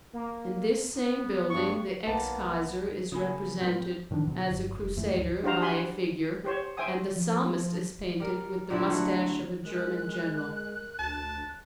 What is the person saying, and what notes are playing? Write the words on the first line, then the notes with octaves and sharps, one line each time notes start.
In this same building the ex-kaiser is represented as a crusader by a figure and the Psalmist is painted with the moustache of a German general.
A#3
B3
G2 C#6
B1 A#3 B3 A5
C#3 A#3 G#5 B5 D#6
A2 G3 A3 C4 F4 B4 G5 G6
A2 D#3 F3 D4
E2 B2 D3 F#3
G1
F1
D#1 F2 E3 A3
G#1 D2
D4 F#4 G4 C5 F5 A#5
F#4 G4 G#5 B5 C6
G4 C5 C#5
C5 E5 G5 G#5 D#6
F3
G3 A#4
A#2 D3 C4 E4
F#3 A3
G#3 A#4 F#6
D2 A5